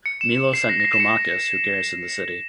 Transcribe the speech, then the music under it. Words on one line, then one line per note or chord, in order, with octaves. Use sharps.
Milo sent Nicomachus who garrisoned the city.
C#7
E7
C#7
C7
A#6
A#6
C7
E7
C#7